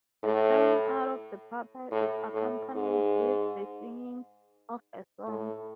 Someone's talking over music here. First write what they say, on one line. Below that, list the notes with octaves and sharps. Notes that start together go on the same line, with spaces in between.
The carrying out of the puppet is accompanied with the singing of a song.
A2
A2
A2
G#2
A2